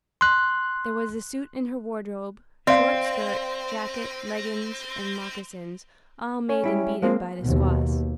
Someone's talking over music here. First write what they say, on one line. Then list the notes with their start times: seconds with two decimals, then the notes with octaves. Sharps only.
There was a suit in her wardrobe, short skirt, jacket, leggins, and moccasins, all made and beaded by the squaws.
0.21 C6 F#6
2.67 C4 D5 F5
6.49 C#4 C#5
6.64 G3 E4 G4
7.02 F3 G#3 A#3 C4
7.42 D#2 B2